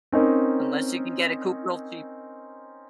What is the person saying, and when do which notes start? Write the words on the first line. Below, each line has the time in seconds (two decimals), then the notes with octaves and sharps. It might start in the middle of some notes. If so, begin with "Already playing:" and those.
unless you can get a coop real cheap.
0.12 C4 C#4 D#4 A#4